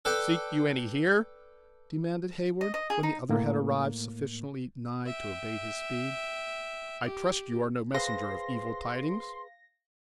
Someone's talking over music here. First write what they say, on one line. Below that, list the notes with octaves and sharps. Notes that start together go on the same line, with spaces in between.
"Seek you any here?" demanded Heyward, when the other had arrived sufficiently nigh to abate his speed; "I trust you are no messenger of evil tidings?"
A4 B4 D5 G5
D#5
D#5
G#4
D#4
A2 A#3
E5 G5
G4
G#4 B4 C5 F5 C6 A#6